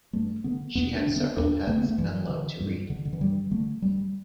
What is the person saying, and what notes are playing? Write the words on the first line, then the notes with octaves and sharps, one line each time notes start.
She had several pets and loved to read.
G2 A3
D3 B3
E2 B3
D4
D3
B3
E2 D4
D3 A3
B3
A3
G2 E3
D3
G2
D3
D3
E3
G2 G3
D3 A3
G2 G3